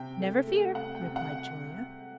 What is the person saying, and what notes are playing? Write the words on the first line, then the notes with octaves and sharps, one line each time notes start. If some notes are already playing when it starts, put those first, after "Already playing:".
"Never fear," replied Julia.
Already playing: C3 G5
A3
A3
C3 F#5
G5
C3
F#5